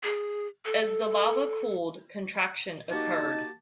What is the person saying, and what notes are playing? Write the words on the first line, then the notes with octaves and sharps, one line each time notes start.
As the lava cooled, contraction occurred.
G#4
A4
A#3 D#4 F#4 G4 A5